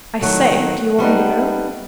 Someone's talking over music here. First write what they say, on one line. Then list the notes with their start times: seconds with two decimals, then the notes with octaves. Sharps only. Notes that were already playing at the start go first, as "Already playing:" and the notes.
"I say--do you want me to go?"
0.21 D#3 F#3 A3
0.98 G3 B3 D4 D#4